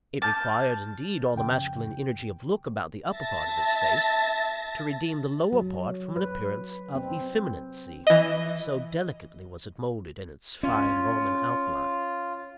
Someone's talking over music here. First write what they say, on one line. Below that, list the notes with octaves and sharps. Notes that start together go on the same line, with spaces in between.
It required, indeed, all the masculine energy of look about the upper part of his face, to redeem the lower part from an appearance of effeminacy, so delicately was it moulded in its fine Norman outline.
A5 D6 F6 G6
F2 C#3 G5
E5 A5 A6 A#6
F#3
B4
C4
E3 D#5
C#4 F4